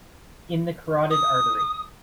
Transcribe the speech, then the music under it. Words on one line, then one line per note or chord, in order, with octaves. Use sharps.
In the carotid artery.
D#6